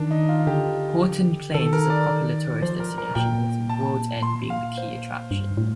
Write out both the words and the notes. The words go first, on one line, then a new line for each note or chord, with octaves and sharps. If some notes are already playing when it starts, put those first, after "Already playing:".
Horton Plains is a popular tourist destination, with World's End being the key attraction.
Already playing: D#3 D4
D#4
F4
D3 G4
D#3 A4
A#4
D5
F3 C5
A#4
A#4
A#2 G5
A5
C6
F5
C5
G2
A2